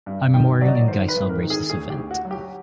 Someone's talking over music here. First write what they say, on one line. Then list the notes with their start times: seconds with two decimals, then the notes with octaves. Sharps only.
A memorial in Guise celebrates this event.
0.06 G2
0.34 D#3 G5
0.61 F#3 D5
0.68 D#5
0.75 D5
0.88 D#3 C5
1.08 B4
1.16 G#1
1.29 A#4
1.43 D#3
1.50 G#4
1.70 D2 G#4
1.90 G4
1.97 D2
2.11 F#4
2.25 F#3
2.31 G4